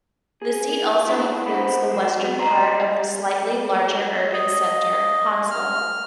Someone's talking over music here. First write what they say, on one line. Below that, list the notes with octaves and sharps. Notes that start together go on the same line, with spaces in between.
The seat also includes the western part of the slightly larger urban centre, Hounslow.
G#4
A#3 D4 E4 F4
A#4 C5 F#5 B5
C3 F#3 G#3
D5 D#5 A#5 C6
D#5
F6